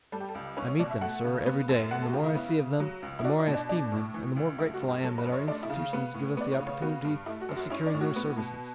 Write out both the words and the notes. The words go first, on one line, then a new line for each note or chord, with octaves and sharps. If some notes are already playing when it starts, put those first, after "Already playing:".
I meet them, Sir, every day, and the more I see of them the more I esteem them and the more grateful I am that our institutions give us the opportunity of securing their services.
G3 A4
G4
A4
C#2
C#4 B4
C#5
B2 D5
E5
A3 F#5
C#3
B3
F#2
A3 F#5
A4
F#4
C#3 G4
E4
B3 E4
C#3
F#3
C#2
E4
D4 F#4
E4
B2
D4
D4
A2
E3
C#2
A3 E4
F#4
G2
G4
F#3 A4
B4
F#2
C#5
A3 D4
E4
C#3
B3
A2
B3 D5
C#5
C#3
C#5
B3 F#4
G2
A3 E4
F#4
F#2
F#4
C#4 E4
D4
A2
F#4
B3
B2